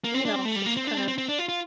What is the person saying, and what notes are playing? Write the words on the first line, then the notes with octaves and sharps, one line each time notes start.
You know, so it's kind of
A#3
C4
D4
C4
A3
G3
A#3
C4
D4
C4
C4
C4
D4
F4
F4